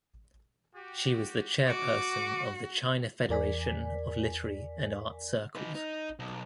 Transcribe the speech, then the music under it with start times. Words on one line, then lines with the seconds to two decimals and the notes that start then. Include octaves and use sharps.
She was the chairperson of the China Federation of Literary and Art Circles.
0.74 F#4 G4
1.67 F#4 D6
3.29 E2 A#4 D5 G#5 B6
5.55 D#4 B4
5.75 D#4
6.19 B1